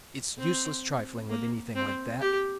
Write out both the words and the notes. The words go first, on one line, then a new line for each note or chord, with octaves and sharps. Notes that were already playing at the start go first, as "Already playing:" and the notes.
It's useless trifling with anything like that.
C4
A#3
C4
G4